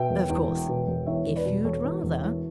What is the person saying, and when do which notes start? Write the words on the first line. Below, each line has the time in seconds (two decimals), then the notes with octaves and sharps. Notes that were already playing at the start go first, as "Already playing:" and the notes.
Of course, if you'd rather ...
Already playing: B2 E5 G5
0.10 E1
0.29 E2
0.49 E1
0.68 B2
0.88 E1
1.06 E2 C#5 E5
1.26 E1
1.36 B4 D5
1.45 B2
1.65 E1 A4 C#5
1.84 E2
2.03 E1
2.23 E3